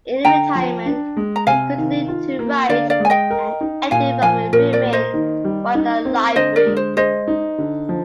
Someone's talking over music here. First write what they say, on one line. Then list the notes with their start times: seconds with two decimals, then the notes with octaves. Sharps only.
In retirement he continued to write and edit from a room in Widener Library.
0.25 D3 G5 A#5
0.55 F3
0.86 D4
1.17 G#3
1.36 A#5
1.47 C3 F5 G#5
1.78 D#3
2.08 F4
2.39 A#3
2.69 D3 D5 F5
2.90 D5 F5
3.00 G#3
3.05 G#5
3.10 D#5 G5
3.30 A#4
3.61 D#4
3.91 A#2 F5 G#5
4.22 F3 F5 G#5
4.52 A#2 A#4
4.73 A#4 D5
4.83 A#3
4.93 C5 D#5
5.14 D#3
5.44 G3
5.75 D#4
6.05 C4
6.36 D3 C5 D#5
6.56 A#4 D5
6.66 G#3
6.77 C5
6.97 G#4 C5 D#5
7.28 D#4
7.58 D3
7.89 F3